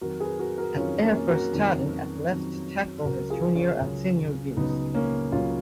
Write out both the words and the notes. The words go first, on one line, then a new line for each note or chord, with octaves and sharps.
At Air Force starting at left tackle his junior and senior years.
F2 D#3 F#3 F#4 A#4
G#4 B4
F#4 A#4
F#4 A#4
F2 D#3 F#3 C#4 F4
A#3 C#4
F#4 A#4
F2 D#3 F#3
F2 D#3 F#3
C#2 C#3 F#3 F#4 A#4
F4 G#4
C#4 F4
C#2 C#3 F#3
C#2 C#3 F#3 B3 D#4
A#3 C#4
C#2 C#3 F#3 C#4 F4